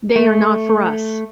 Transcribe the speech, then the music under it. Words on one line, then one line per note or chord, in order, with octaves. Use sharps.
They are not for us.
A3